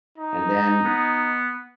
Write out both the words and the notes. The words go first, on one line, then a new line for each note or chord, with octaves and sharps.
and then
D#4
B3